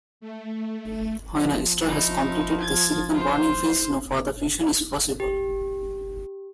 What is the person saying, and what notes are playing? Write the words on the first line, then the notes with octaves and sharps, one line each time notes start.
When a star has completed the silicon-burning phase, no further fusion is possible.
A3
F3
D#4 E4
G#6 A6
F4 C5
G4